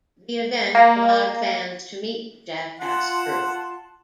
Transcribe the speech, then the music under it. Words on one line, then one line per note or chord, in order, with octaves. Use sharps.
The event allowed fans to meet the "Jackass" crew.
A#3
F4 F#5 A5 C6